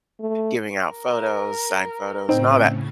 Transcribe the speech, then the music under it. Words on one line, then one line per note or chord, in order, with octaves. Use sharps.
giving out photos, signed photos and all that,
A3
A#4
A2 C#3 C4 D#4